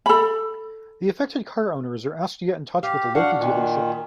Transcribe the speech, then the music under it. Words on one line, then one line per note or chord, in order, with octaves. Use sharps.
The affected car owners are asked to get in touch with a local dealership.
A4 B5
G4 F5
D4 F#4 F5 F#5
A#2 D#3